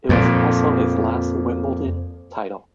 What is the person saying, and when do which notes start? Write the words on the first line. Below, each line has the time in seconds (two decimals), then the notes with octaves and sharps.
It was also his last Wimbledon title.
0.09 F2 A#2